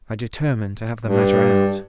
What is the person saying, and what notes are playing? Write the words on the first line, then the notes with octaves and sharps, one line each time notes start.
I determined to have the matter out.
G2